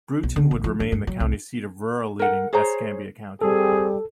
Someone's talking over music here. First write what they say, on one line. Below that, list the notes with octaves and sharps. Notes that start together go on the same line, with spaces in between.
Brewton would remain the county seat of rural-leaning Escambia County.
B1
D3
A1
F3
G2
G2
F#3
C2
A#4 F#5
G#4 C5 C#5 A#5
G3 C4 G#4 A4